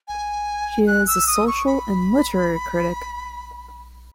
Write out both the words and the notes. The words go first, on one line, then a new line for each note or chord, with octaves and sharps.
She is a social and literary critic.
G#5
F#6
E6
D#6
C#6
B5